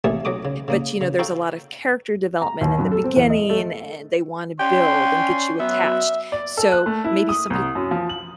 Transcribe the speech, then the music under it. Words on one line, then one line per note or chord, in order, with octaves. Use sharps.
But, you know, there's a lot of character development in the beginning, and they want to build and get you attached. So maybe somebody
A1 D#2 C3 A3 G#4 A5
B1 F#3 D#5 D6 D#6
C#3
C#3 A#3 D#6
C#3
D#4 F#4 A4 F5 G5
A#5
D#2
F#2
A4
C4
E2
D#5
A3
C#4 D5 G5 C6
F#3 B3 E5
D5
A4
F#6
A3
E4
D#6
C2
F#2
F3
F#7